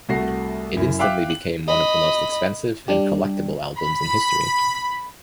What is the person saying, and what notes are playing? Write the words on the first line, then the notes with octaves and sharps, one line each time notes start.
It instantly became one of the most expensive and collectible albums in history.
C2 A3 F#4 A#6 C7
F#2 E4
E5 F5 G5 D6 F#6
F#7
D#5 B5
G3 D4 G4
B5